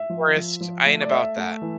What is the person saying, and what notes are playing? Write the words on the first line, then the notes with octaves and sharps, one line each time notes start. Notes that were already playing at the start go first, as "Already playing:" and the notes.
forest, I ain't about that.
Already playing: E5
F3
F3
F3
A3
D5
A3 E5
A3
E3